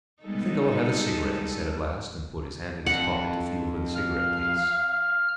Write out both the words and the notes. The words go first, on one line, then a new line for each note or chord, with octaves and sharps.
"I think I will have a cigarette," he said at last, and put his hand in his pocket to feel for the cigarette-case.
G3 G#3 B3 D#4 A4
F2 F#5
F5 F6